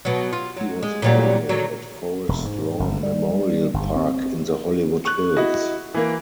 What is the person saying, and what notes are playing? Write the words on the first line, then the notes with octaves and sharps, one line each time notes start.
He was buried at Forest Lawn Memorial Park in the Hollywood Hills.
B2 F#3
F4
F#3
G#3
A#2 F#3 G3
D3 D#3 F#3
E1
G#2
G1
G3
G1
C4
C#6 F#6
E4 F#4 D#5
E3 A#3